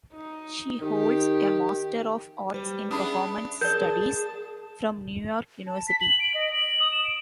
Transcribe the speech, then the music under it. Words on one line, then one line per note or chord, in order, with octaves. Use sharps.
She holds a Master of Arts in Performance Studies from New York University.
D#4
D#3 G4
G3 B4 C5
B3 C#4 D4 E4 G#4 B5 D#6
G#4 A#4 D5 A5 G6
A5
B6
F#7
D7
D#5
F#7
D#6
E7
D7